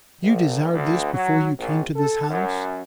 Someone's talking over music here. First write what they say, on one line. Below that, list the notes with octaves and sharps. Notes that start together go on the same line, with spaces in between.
You desired this before you came to this house?
A#1
D2
F#3
A#1
A4
F#2